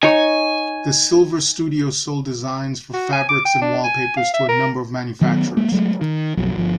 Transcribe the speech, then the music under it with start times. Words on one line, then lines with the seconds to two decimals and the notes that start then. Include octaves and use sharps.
The Silver Studio sold designs for fabrics and wallpapers to a number of manufacturers.
0.03 D#4 C#5 G#5
2.93 F#4
3.12 G#5
3.29 D6
3.45 G5
3.61 D4
3.84 G#5
4.16 F5
4.34 E5
4.48 A#4
5.21 D#3 F#3 A3 B3
5.57 G#3 A#3
5.72 F#3 G#3 A3
6.01 D#3
6.37 B1 F2 F#3
6.55 G1 F3